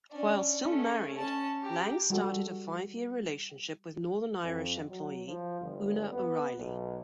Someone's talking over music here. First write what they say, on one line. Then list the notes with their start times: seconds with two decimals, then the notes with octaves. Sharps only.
While still married, Lange started a five-year relationship with Northern Irish employee Oonagh O'Reilly.
0.10 C#4 D4
0.59 A3 C#4
1.17 C#4 A5
1.63 G4 A#5
2.10 G3 F#4 A4
4.43 F2
4.90 F#3
5.28 F3
5.61 G1
6.12 B3
6.58 B1